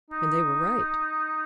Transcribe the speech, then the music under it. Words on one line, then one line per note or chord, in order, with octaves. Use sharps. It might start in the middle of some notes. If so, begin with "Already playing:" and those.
And they were right.
D#4